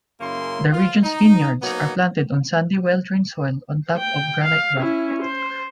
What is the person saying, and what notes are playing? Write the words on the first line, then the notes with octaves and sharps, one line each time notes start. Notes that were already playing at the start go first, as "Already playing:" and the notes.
The region's vineyards are planted on sandy well-drained soil on top of granite rock.
F#2 C#3 A#3 E4 C6
F4
D#4
F#3 A#3 B3 C#4 D#4
G5
F5
C#4 E4
C5